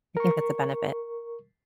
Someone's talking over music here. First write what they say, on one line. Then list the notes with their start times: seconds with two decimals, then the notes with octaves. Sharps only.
I think that's a benefit.
0.17 A#4 C#6